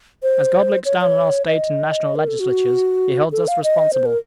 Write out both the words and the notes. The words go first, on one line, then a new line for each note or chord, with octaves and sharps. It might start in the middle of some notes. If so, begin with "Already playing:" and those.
As God looks down on our State and national legislatures, he holds us responsible.
C5
C#5
C#5
D#5
A#4
A4
F#4
A4
F5
D#5
C5
A#4